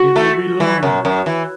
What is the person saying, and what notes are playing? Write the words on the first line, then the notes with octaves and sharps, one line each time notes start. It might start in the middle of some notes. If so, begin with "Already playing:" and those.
It will be long.
Already playing: F#4
A3
E3
F#2
F#2
E3